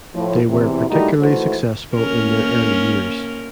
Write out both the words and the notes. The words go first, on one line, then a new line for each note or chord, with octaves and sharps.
They were particularly successful in their early years.
A2 F3
E2 C3 E3
A#2 G3 A3 D#4 E4 F#4
G#2 E3 A3 F#4 A4 C5
A#3 C#4 A#4